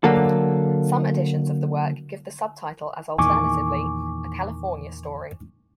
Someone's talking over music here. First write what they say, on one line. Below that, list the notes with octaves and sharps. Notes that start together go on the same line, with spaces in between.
Some editions of the work give the subtitle as alternatively, "A California Story".
D3 F#3 A#3 A4
E2 A#2 D#3 G#5 C#6 D6